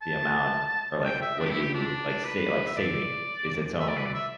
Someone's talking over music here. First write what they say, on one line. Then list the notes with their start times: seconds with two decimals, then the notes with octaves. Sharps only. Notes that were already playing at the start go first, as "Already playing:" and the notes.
The amount or, like, what you like, say like, saving is its own
0.02 A5
1.05 G5
1.22 E5
1.39 D4
1.45 G4
1.51 E4
1.62 G4
1.74 D4
2.08 D4
2.25 B4
2.67 E5
2.77 D5
3.80 E5
3.88 D5
3.97 B4
4.06 D5
4.14 E5